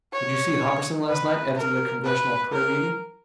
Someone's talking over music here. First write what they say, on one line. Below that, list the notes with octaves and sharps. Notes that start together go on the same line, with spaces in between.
"Did you see Hopperson last night after the congressional prayer meeting?"
C#5
B4
A#4
B4
A#4